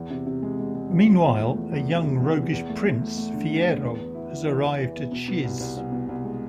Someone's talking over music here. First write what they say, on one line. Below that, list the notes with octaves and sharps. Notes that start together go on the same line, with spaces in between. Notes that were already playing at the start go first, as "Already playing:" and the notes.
Meanwhile, a young roguish prince, Fiyero, has arrived at Shiz.
Already playing: E2
C3
C3
G#3
G#3
G#3
F3
F3
E2
A3
E2
E2
C3
C3
E2
E3
E2
A3
A3
A3
A3
D3
A3
E2
B3
B3
E4
E4
E3
E3
E3
B3
B2
B2
C2
C2
C2
B2
C2
G#3